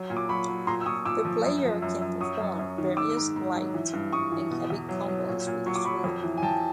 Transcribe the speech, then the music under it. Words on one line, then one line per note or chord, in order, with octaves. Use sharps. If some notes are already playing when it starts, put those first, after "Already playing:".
The player can perform various light and heavy combos with the sword.
Already playing: F#3
A#2
D6
F#3 B5 C#6
F#3
A#2 A#5 C6
E6
A#2 C#6 D#6
A#2 D6 E6
F3
F#2
F3
F#2
F#2
F#3 C#6 D#6
F#2
F#2
D#3
G#2 D6 E6
G#2
G#2
F#3
E3
G2
G2 C#6 D#6
E3
B2
E2
F#3
F#3
A#2
A#2
F#3 C#6
D6
F#3 B5 C#6
F2
E3
G#5
F2 G5 A5